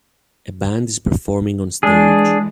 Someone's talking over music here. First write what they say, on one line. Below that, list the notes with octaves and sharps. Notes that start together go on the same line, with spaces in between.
A band is performing on stage.
E3 G#3 D4 G#4